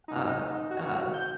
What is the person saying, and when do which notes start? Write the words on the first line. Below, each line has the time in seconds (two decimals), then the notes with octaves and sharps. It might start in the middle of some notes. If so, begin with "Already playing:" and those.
uh uh
0.08 D#4
0.71 F#4
1.14 G6